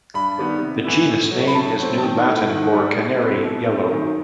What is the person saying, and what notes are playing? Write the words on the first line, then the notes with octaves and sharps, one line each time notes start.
The genus name is New Latin for "canary-yellow".
G2 B5
D#3 G3 B3
C3
E3 B3 E4
A2
F#3 A3
B5
A2 A5
F#3 C4
A5
D#3 G5
A3 E4
D#3 F#5
G3 D#4
B2
A3 C4 E4
B2
A3 C4
D#3